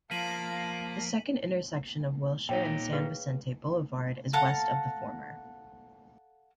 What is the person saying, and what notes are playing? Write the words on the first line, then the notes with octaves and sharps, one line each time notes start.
This second intersection of Wilshire and San Vicente Boulevard is west of the former.
F3 A#3 F4 A5 B6 D#7 F#7
A#2 D#4 C#5 G5
G#4 B4 F5
A4 F5 F#5 A#5